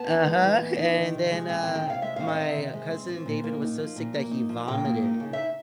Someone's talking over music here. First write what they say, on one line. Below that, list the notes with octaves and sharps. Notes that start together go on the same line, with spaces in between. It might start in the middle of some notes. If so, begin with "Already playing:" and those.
Uh-huh, and then, uh, my cousin David was so sick that he vomited,
Already playing: B3 A5
D#4
G#3
E3
B3
D#4
D#3
C3
G#3
C4 G#5
G5
D#3
G5
C3 F5
G#3 E5
C4 F5
D#5
D#3 E5
C3
G#3
C4
F3
A#2
A#3
D#4
F3
A#2
A#3
D#4
F3
A#2 G5
A#3
D#4
C#3
E5